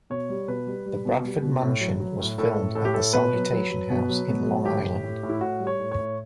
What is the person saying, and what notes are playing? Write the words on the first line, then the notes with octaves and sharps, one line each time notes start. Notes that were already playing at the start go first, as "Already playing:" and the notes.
The Bradford Mansion was filmed at the Salutation House in Long Island.
B2 C#5
G3
B2 B4
G3
G3
B2
G3
B2
A2
F#3
F#3
A2
A2 A4
A2
A2 A4
G4
A2 A4
B2 B4
F#3
F#3
F#3
B2
F#3
B2
F#3
A2 G4
A2
A2
A2
E4
A2 F#4
G3
C#5
A2
C#5
A2